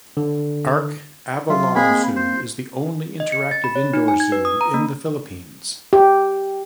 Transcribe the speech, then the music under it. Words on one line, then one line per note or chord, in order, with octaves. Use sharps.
Ark Avilon Zoo is the only interactive indoor zoo in the Philippines.
D3
F#3 F4 E5
G#3 A#3 C4 G#4 F5 B5
C5
D#5
C#7
A6
B5
C#5
D#4
G#5
G#6
B4
D#6
A#5
A#3
G4